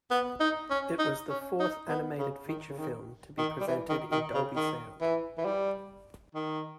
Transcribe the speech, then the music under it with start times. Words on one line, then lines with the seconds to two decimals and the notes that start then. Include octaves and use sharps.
It was the fourth animated feature film to be presented in Dolby sound.
0.11 B3
0.40 D#4
0.70 C#4
0.99 D#4
1.29 C#4
1.60 D#4
1.89 B3
2.18 C#3
2.48 D#3
2.70 C#3
2.78 D#3
3.38 D#3
3.60 G3
3.67 E3
3.89 D#3
4.12 D#3
4.34 C#3
4.56 D#3
5.01 E3
5.38 E3
5.45 G3
6.35 D#3